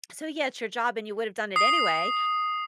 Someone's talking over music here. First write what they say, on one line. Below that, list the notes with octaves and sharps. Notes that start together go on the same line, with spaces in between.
so yeah, it's your job and you would have done it anyway,
D#6 C7